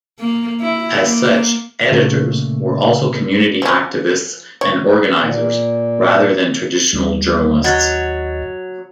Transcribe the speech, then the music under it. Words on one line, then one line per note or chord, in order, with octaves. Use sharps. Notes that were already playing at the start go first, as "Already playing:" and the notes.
As such, "editors" were also community activists and organizers rather than traditional journalists.
A#3
E4
A#3
A#2 C#3 A3 A#3
F3 C#4
C#5
A#2
D#2 G3
F#3 D#5 A6